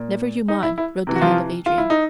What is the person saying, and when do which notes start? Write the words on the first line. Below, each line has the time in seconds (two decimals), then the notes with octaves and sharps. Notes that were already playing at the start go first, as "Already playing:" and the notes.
"Never you mind," wrote the hand of Adrian.
Already playing: A#2
0.48 D#4
0.63 E4
0.78 E4
1.07 C3 E3
1.15 F#4
1.22 F3 F4
1.66 F4
1.78 E4
1.90 D#4